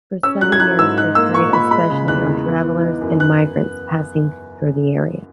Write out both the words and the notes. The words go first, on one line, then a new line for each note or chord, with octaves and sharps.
For seven years they preyed especially on travelers and migrants passing through the area.
C#4 E6
F#3 F#6
G#6
E4 F#6
G#2 E6
D#4 F#6
A#3 E6
A#2 C#6
A#2 B5
G#3 B5
C#3
E2 F#6
E2
B3
E3
D#4
F#2
B3 F#6